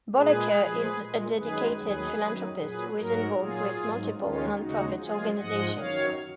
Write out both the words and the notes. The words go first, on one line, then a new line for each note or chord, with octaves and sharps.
Bollacker is a dedicated philanthropist who is involved with multiple non-profit organizations.
A#2 G#3 G#4 B4
A#2 F3 G#3
A#2 G#3
F#2 D#3 G#3 G#4 B4
D#2 D#3 F#3 G#4 B4
F#2 D#3 F#3
A#2 F#3 G#4 B4
G#2 F#3 F#4 A#4
A#2 F#3 F4 G#4
G#2 F#3
D#2 D#3 G#3 C#4 F4
D#2 C#3 G#3 D#4 F#4
F#2 F3 G#3 F4 G#4
G#2 F3 G#3 D#5 F#5
F#2 D#3 F#3 C#5 F5